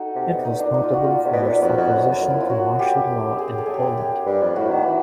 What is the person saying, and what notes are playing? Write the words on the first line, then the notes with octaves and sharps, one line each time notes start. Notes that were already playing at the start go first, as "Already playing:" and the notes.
It was notable for its opposition to martial law in Poland.
Already playing: D#4 F#4 A4
C3
B2
A#2 D#4
B2
A#2 D4
D#4
F4
F#4
F4
C3
B2
B2
A#2
F2 F#4
F2
F#2
F#2
F2 F4
E4
F#2 F4
F#2 F#4
G4
G#4
G4
A4
F#2 G#4
G4
G#4
G4
G2
F2
A2 F#4
D#3
E3